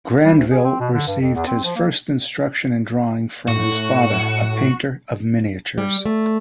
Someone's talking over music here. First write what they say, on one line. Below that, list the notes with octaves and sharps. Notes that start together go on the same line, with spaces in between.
Grandville received his first instruction in drawing from his father, a painter of miniatures.
G3
D2
G#4
C4
B2
D3
G2
F2
E2
C4
F3
A#3
A2 F#4
G3
A3